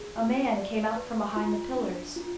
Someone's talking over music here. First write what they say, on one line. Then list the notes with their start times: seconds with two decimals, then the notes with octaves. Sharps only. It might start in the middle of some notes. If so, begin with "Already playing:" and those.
A man came out from behind the pillars.
Already playing: G#4
0.17 F4
0.57 D5
0.96 B4
1.36 F4
1.76 D4
2.16 F4